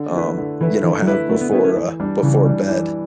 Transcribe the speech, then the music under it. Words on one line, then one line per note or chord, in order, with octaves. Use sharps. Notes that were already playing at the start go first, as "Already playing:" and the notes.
um, you know, have before, uh before bed.
Already playing: D3
A3 E4 B4
D3
E3 A3 E4 B4
D3 E3
F#3
G3 A3 E4 B4
D3 A3
B3
A3 B3 E4 B4
C#4
E3
G3 D4
C#3 E3
G3 D4
E3